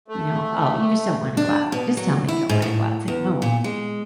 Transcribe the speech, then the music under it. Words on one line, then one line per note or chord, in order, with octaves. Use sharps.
you know, "Oh, you just don't wanna go out. Just tell me you don't wanna go out." It's like, "No"
A3
D4
B2
F#3
E4
G#2
A2
E2
A#2
G#3